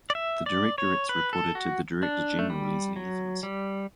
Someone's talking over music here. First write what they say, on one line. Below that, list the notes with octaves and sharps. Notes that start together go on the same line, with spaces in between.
The Directorates reported to the Director-General Leslie Evans.
D5
E5
D5
C#5
B4
A4
F#4
D4
A3
G3
F#3
G3